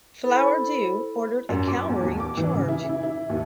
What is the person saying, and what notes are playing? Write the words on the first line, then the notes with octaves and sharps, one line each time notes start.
Flowerdew ordered a cavalry charge.
E4 A4 C5 B5
F#2
D6
E2
D#2
D6
E3
C#3
E4
E4
E4
D#2